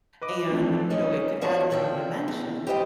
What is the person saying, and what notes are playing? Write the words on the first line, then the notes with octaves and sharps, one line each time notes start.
and, you know, it could add another dimension,
B4 D#5 D6
E3 F3 A3 C4 D4
C#4 D#4
F3 D4 F#4 C#5
D2 D3 F3 A4 G5
E2
G4 B4 C5 D#5 F#5 G5